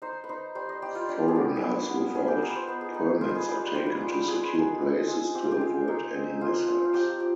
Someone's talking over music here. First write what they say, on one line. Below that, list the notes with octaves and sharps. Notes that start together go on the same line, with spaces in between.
Foreigners without permits are taken to secure places to avoid any mishaps.
D#4 C5
B4
D#4 C5
G3 C5
D#5
G3 G4
F4
D4 G4
G#4
B3 G4
G#4
B3 B4
B3
B3 G#4
G4
D#4 G#4
B4
C5
B3 B4
G#4
D#4 B4
F4 C5
B4
G#4
B4
G3
G3 C5
B4
F4 G#4
B4
F4 G#4
B4
G#4
G#3
C4
G#3
C4 G4
F4
G4
G#3
D#4 G#4
C4
F3 F4
F3
F4
F3 G4
G4